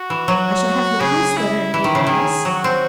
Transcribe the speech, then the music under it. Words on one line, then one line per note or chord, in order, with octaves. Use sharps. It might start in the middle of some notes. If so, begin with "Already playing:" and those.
"I shall have the comte's letter in eight hours?"
Already playing: F#4
E3
F#3
C#3 G#4
E4
E3 E4
D#3
C#3
D#3 G#4
F#3 F#4
C4